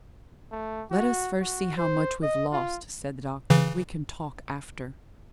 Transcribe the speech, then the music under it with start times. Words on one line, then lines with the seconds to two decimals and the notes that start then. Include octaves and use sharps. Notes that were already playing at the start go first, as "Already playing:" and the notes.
"Let us first see how much we've lost," said the doctor; "we can talk after."
0.52 A3
0.91 F#4
1.40 F#4
1.78 C5
2.23 D#5
2.53 F4
3.50 C#3 E3